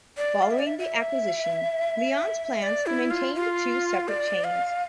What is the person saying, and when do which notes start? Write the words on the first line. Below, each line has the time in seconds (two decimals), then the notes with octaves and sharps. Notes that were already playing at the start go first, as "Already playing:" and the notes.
Following the acquisition, Leon's plans to maintain the two separate chains.
0.18 D5
0.42 F5
0.51 E5
0.59 D5
0.67 E5
0.79 E5
2.62 D5
2.86 E4
3.10 F4
3.35 F4
4.08 D5
4.44 F5